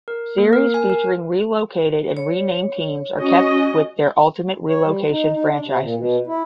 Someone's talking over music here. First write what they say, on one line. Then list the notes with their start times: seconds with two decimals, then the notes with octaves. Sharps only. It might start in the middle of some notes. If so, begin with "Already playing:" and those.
Series featuring relocated and renamed teams are kept with their ultimate relocation franchises.
0.08 A#4
0.38 A#3
0.53 A#4
0.74 G#5
0.90 A#4
2.17 C#5
3.17 C#4 F#4 D#5
4.69 C#5
4.84 G3
5.10 D#4
5.33 D#4
5.51 D4
5.65 C3
5.81 A#2
5.96 B2
6.27 E4